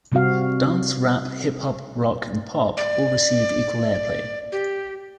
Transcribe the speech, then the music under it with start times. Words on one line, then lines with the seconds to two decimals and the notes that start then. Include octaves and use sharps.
Dance, rap, hip-hop, rock, and pop all received equal airplay.
0.12 C3 G3 C4 F#4 F5
2.77 D5
4.52 G4